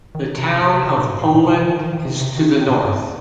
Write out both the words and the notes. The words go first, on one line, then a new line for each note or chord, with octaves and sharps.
The town of Poland is to the north.
D#3
C3
C3
C3
A#2
G2
A#2
A#2
C3
D#3
D#3
D#3
D#3
C3
C3
D#3
A#2
G2